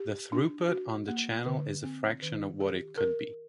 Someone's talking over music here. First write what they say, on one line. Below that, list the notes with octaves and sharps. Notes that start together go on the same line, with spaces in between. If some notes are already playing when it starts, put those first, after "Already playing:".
The throughput on the channel is a fraction of what it could be.
Already playing: G4
D4
F#4
A#3
D3
C4
D#3
G4
A#4